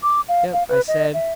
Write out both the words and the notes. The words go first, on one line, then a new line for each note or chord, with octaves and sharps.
"Yep," I said.
D6
F5
F5
B4
D#5
E5